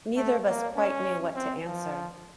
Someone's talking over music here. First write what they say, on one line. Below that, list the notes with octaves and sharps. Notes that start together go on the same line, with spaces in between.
Neither of us quite knew what to answer.
A3
A#3
C#4
C4
F3